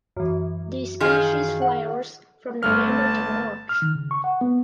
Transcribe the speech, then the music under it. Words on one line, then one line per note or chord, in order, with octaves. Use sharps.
This species flowers from November to March.
F#2 E3
D#3 F4 G#4
F#5
G1 A3 A5 F6
F6
D#3
C#3
C#6
F#5
B3